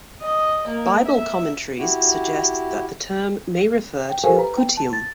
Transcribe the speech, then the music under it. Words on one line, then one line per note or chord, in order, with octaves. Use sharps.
Bible commentaries suggest that the term may refer to Gutium.
D#5
A#3
E5
E4 F#4 G4
G5
G4 A4 A#4 C5 F5 G#5
B4 A#5
G5
A5
A6